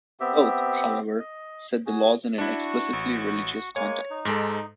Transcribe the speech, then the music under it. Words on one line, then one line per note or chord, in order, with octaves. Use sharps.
Both, however, set the laws in an explicitly religious context.
B3 C4 G4 E5
D#5
F#4 G#4 G#5
D4 E4 F#4 C#6
A1
G#3 A#3 C#5 G#5
D#4
G#2 G#3 A4